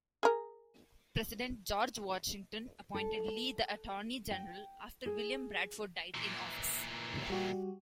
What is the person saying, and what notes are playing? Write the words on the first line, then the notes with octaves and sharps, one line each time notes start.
President George Washington appointed Lee the Attorney General after William Bradford died in office.
G#4 A#4
A4
G5
G#4
A#2 E3
G3 F#4 G4